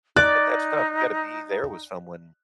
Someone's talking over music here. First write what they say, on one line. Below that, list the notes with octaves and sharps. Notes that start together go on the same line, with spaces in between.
But that's tough, you gotta be there with someone.
D#4 D5 F#6